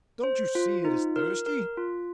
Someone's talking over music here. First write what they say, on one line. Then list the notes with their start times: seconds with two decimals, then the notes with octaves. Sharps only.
Don't you see it is thirsty?
0.23 C5
0.55 F4
0.85 D#4
1.16 A#4
1.46 A#4
1.77 F4